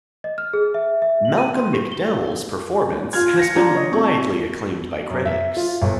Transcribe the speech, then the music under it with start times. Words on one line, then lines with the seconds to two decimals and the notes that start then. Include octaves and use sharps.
Malcolm McDowell's performance has been widely acclaimed by critics.
0.24 D#5
0.38 F6
0.53 G#4
0.74 E5
1.02 E5
1.25 F#7
1.38 D#7
1.56 C6
1.73 G4
1.92 G7
3.13 F4 F6 G#6
3.39 A#6 C#7
3.56 D4 F4 G4 A#5
3.75 C#5 D#5
3.92 C4 C#6
5.10 F#2
5.25 E5
5.56 F4
5.82 G1